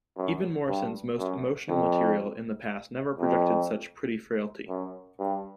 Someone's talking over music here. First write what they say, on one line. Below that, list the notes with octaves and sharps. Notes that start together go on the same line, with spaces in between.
Even Morrison's most emotional material in the past never projected such pretty frailty.
F#2
G2
F#2
F2
F2
F#2
G2